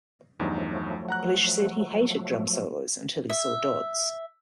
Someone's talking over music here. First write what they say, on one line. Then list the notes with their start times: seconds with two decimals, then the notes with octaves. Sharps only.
Blesh said he hated drum solos until he saw Dodds.
0.40 E2 G2 F3 F#3 A3 D#4
1.08 F#5 A#5 F#6
3.30 E5